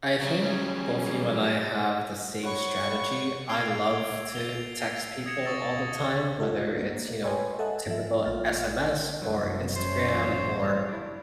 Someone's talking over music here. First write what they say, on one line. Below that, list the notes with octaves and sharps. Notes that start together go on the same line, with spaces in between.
I think both you and I have the same strategy. I love to text people all the time, whether it's, you know, typical SMS or Instagram or
F#3 G3 C#4 G#4
F#4 C#5 B5 C#6
E6 G#6 C7 D7 F7 G7
F7 G7
D#6 G#6 A#6 C#7 E7 F7
C#6 D#6 E6 A6 C#7
F4 G4 A4
A#3 D4 F#4
B4 C#5 G5 G#5 C6
A4 D#5 E5 F#5 G#5
G#2 F3 E5
A#1 A#3 F4 F6 A6
F#1 C2 F#3
F#2 C5 C#5
A1
D4 E4